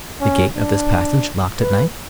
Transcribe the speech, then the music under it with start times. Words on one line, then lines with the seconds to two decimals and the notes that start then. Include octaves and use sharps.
"Is the gate of this passage locked at night?"
0.21 C#4
0.56 D4
1.60 B4